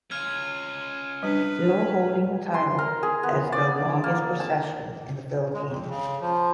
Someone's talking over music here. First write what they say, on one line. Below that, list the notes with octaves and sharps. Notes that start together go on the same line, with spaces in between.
Still, holding the title as the longest procession in the Philippines.
C#4 F4 F6 G#6
G3 D4 B4
C6
A#4
G#4
B3
D5
A#3
A5
G#3
F2
C#3
F3